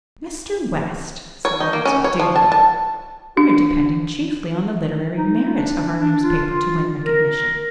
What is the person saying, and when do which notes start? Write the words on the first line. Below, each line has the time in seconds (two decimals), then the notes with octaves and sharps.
"Mr. West," said Louise, with dignity, "we are depending chiefly on the literary merit of our newspaper to win recognition."
1.45 C#5
1.60 D#4
1.73 A#3
1.85 C#4
2.04 C#5
2.20 F3
2.36 A5
2.52 A5
3.37 D4
5.17 D#4
5.54 D4
6.00 D4
6.23 F4
7.06 A#4